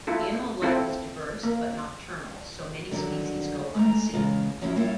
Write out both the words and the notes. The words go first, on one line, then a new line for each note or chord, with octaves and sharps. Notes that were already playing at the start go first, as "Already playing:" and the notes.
Animal life is diverse but nocturnal, so many species go unseen.
E4 F4 A4
C4 E4 F4 A4
A#3
D3 D#3 F#3 G3
G#3 A3 A#5
C#3 E3 G#3 F4 A#5
F#2 F3 F#3 C#4 E4
G3 A#3 E4 F4 C#5